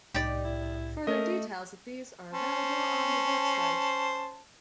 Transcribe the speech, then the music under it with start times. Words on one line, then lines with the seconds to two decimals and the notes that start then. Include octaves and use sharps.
Further details of these are available on the website.
0.14 C2 A2 D#4 G4 D5
0.44 E4
1.07 A3 C#4 A#4 D#5
2.34 C#4 C5 A5